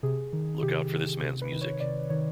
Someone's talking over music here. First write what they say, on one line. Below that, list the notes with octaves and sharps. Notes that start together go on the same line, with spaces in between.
Look out for this man's music'.
C3 G#4
D#3
C3 G4
D#3
C3
B4
D#3
C#5
C3 D5
D#3 C#5